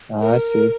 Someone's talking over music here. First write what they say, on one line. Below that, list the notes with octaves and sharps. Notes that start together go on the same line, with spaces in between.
Ah, I see.
A#4